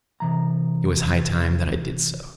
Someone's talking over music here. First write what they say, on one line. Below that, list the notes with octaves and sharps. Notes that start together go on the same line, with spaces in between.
It was high time that I did so.
C3 E3 A#5